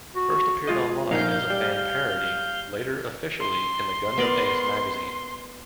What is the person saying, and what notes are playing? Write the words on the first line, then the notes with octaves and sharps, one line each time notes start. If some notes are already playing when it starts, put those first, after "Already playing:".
First appeared online as a fan parody, later officially in the Gundam Ace magazine.
F#4
G#3 F4 D#5
A#1 D#4 F5 F#5 G6
G3
C6
B3 A#4 D5